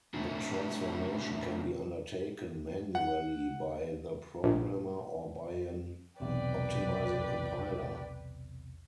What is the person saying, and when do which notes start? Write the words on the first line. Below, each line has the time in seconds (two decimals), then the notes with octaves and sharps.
The transformation can be undertaken manually by the programmer or by an optimizing compiler.
0.14 C#3 A3 D4 E4 F#4 G#4
2.95 F#5
4.44 A#1
6.20 B1 E2 C3 B4 D5 G5